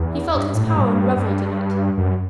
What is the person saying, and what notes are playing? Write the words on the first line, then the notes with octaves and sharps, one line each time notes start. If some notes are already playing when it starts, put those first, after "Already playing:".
He felt his power and revelled in it.
Already playing: E2
G2
A2
A2
G2
G2
F#2